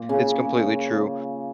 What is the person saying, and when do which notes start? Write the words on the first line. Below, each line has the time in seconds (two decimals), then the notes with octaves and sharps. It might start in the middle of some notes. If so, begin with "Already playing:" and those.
It's completely true,
Already playing: A#2
0.09 C#3